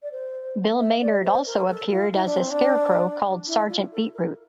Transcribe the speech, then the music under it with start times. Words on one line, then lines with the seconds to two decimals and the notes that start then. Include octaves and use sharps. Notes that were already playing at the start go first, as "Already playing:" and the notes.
Bill Maynard also appeared as a scarecrow called Sergeant Beetroot.
0.02 D5
0.11 C5
0.79 E5
1.01 D5
1.24 C5
1.46 A#4
1.68 A4
1.91 F4
2.13 E4
2.25 D4
2.37 C4
2.50 D4
3.47 E4
3.69 F4
3.92 A4
4.14 A#4